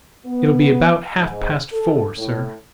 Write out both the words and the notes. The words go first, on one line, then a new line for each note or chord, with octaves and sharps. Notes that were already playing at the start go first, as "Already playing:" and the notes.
"It'll be about half-past four, sir."
B3
G#2
A4
A2